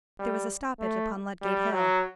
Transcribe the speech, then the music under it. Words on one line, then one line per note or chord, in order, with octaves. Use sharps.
There was a stoppage upon Ludgate Hill.
G3
A3
G3
F#3